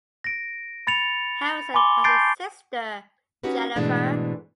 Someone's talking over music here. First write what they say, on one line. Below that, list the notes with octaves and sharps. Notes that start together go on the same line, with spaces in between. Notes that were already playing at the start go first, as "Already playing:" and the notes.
Harrison has a sister, Jennifer.
A#6 D7
B5 A6 C#7 F7
G#5 B5 C6 D6 G7
A5 C#6 G6 A6 C7 D7
C#4 D#4 F#4 G4 B4
G#2 B2 E3 G#3 A3 D4